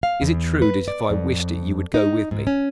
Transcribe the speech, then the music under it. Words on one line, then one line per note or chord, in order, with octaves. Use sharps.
"Is it true that if I wished it you would go with me?"
F5
E2
B4
D5
F2
D#4
G#2
C#4